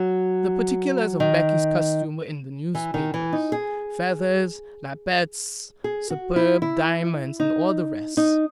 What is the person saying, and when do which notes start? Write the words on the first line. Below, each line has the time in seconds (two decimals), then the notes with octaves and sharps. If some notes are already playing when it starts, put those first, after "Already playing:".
The particulars of Becky's costume were in the newspapers--feathers, lappets, superb diamonds, and all the rest.
Already playing: F#3
1.20 D#3
2.75 E3
2.94 D#3
3.14 E3
3.33 D#4
3.52 G#4
5.84 G#4
6.10 F#4
6.36 E4
6.62 E4
7.40 D#4
8.17 D#4